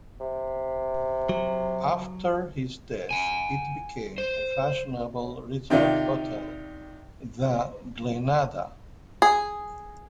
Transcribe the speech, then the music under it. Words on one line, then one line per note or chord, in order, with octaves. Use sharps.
After his death it became a fashionable resort hotel, The Glenada.
C3
F#3
F#5 G#5
C5
C3 D#3 F4 D5
G#4